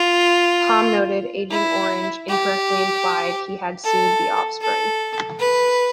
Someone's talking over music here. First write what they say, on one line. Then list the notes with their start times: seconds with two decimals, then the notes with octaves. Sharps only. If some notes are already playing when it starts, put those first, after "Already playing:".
Palm noted "Aging Orange" incorrectly implied he had sued The Offspring.
Already playing: F4
1.51 E4
2.29 G4
3.84 A4
4.61 A4
5.39 B4